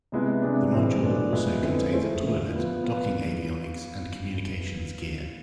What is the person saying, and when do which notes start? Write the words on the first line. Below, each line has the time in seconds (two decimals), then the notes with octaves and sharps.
The module also contains a toilet, docking avionics and communications gear.
0.12 C3 G#3 B3 E4
0.42 C3 G#3 D4
0.73 A2 E3 G#3 C4
1.02 B2 A3 D4
1.33 F3 G#3 B3 E4 G#4
1.63 D3 A3 C4 E4 B4
1.93 A3 E4 G#4 C5
2.23 D3 F3 A3
2.53 F3 B3 F4
2.83 B3 F4 B4 F5